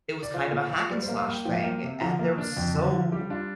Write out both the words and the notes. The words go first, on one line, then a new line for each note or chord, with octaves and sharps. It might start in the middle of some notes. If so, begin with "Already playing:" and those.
it was kind of a hack and slash thing, and there was so
D5
F4 C5
A#2
F4
G3 D5
C5
A#3
F5
A#3
G5
F3 G5
F5
A#3 G5
C3
F3 A#5
A#3
D4
F2 G5
D3
F4
F3
G3 G4
D4 F4